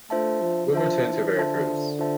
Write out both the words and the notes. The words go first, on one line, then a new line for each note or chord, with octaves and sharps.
We’ll return to Veracruz.
A3 D4 F4 C5 E5 A5
F3
F3 D4 F4 C5 E5 A5
E3
D3 D4 F4 C5 E5 A5
D4 F4 C5 E5 A5